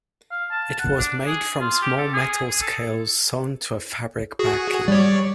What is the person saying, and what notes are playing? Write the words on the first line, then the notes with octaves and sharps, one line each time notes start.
It was made from small metal scales sewn to a fabric backing.
F5
A5
F#5
D4
G#4
F4
G4
A4
G#4
A4
F#4 G#4
G3 C#5 D5